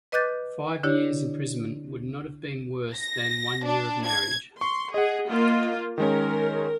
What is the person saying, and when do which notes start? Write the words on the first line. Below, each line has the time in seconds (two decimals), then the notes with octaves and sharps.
Five years' imprisonment would not have been worse than one year of marriage.
0.12 B4 D#5 D6 F#6 G6 A6
0.83 D3 D4 E4 G4 C#5
2.94 A#6
3.65 D4
4.07 G#6
4.61 C6 C#6
4.94 G#4 D#5 F#5
5.30 A#3 F4
5.98 D#3 G#3 C#4 A#4